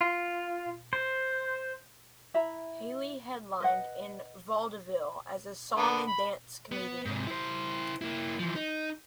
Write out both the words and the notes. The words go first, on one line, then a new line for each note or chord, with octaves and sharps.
Haley headlined in vaudeville as a song-and-dance comedian.
F4
C5
E4 E5 A#5 B5
B4 D#5 F#5
D3 B3
B5
B3
G#2 C3
E4 C5
A#3 E4
E3 F3
D#4